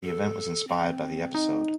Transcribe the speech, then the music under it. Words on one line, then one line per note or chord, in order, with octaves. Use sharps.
The event was inspired by the episode.
A4
C4
D#4